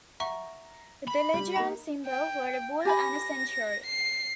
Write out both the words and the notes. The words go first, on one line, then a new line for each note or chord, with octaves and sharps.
The legion's symbol were a bull and centaur.
E5 F#5 A#5 C#6
B5
G3
A#3 D#4 A#5
G5
G4 G#5 B5 A#6
C7